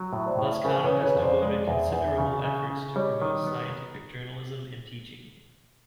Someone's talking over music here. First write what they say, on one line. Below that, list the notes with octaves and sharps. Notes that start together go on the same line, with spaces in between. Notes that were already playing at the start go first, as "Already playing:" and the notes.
Lazcano has devoted considerable efforts to promote scientific journalism and teaching.
Already playing: F#3
A2
C5 D5
A2
C#3 A#4 C5
B4 C#5
C#3
B4 C#5
F2
C5 D5
G#3
E2
E2
C#3
C#3
C#3
G3 C#5 D#5
D#3
B3